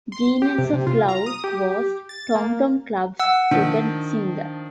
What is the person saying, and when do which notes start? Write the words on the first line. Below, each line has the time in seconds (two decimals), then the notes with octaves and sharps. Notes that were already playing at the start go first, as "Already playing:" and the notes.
"Genius of Love" was Tom Tom Club's second single.
0.12 C6
0.42 G4
0.58 C3
0.73 C3
0.87 F4
1.09 A#5
1.26 D#6
1.44 G4
2.09 A6
2.35 A#3
3.20 F#5 E6
3.51 D#3 F3 D4